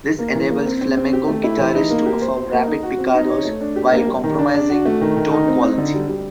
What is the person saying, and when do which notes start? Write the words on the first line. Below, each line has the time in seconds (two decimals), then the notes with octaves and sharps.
This enables flamenco guitarists to perform rapid picados while compromising tone quality.
0.19 A#3
0.35 E3
0.50 A#3
0.66 C4
0.81 C4
0.97 C4
1.13 G4
1.28 A3
1.44 E4
1.58 E3
1.75 D#4
1.90 A#3
2.06 G4
2.22 C5
2.37 C5
2.53 A#3
2.67 D#4
2.83 F#4
2.99 C4
3.14 D#4
3.30 C#5
3.45 A3
3.61 D4
3.76 G4
3.92 A#3
4.07 G3
4.23 D#3
4.39 D4
4.55 D4
4.70 F#4
4.85 A3
5.01 D#3
5.16 D#3
5.31 D#4
5.48 C4
5.63 D#4
5.78 D3
5.94 G3
6.09 G3